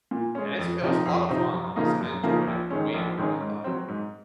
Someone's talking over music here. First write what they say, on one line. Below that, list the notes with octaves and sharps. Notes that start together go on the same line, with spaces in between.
and it's it was a lot of fun, honestly. I enjoyed it way more than I thought I would've.
A#2
G#3 C#4
F2
C3 F3 C4 D#4
F2
C3 F3 C4 D#4
F#2
C#3 F3 A#3 D#4
F#2
C#3 F3 A#3 D#4
A#1
G#2 D#3 G#3 C#4
A#1
G#2 D#3 G#3 C#4
G#2
F#3 C4
G#2